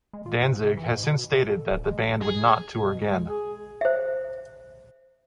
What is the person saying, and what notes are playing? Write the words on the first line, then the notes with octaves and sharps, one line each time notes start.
Danzig had since stated that the band would not tour again.
G#3
F4
G#2
C3
E3
G#2
B2
B2
A4
D1
G#3
G#4
B2
G#3
G#4
C5 E5